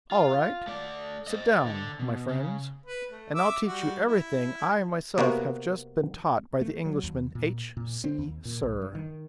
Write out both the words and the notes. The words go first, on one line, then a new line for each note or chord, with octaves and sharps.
"All right, sit down, my friends, and I'll teach you everything I myself have just been taught by the Englishman H. C. Sirr!"
F4
A3 D5
C5 D#5
D3
B2
C#3
B4
A3
E5 D6 E6
G3 F#4
E4
C3 A#3 B3 F#4
A3
F#3
D#2
A#2
A#2
C4
D#2
A#2
B1
G2
D#3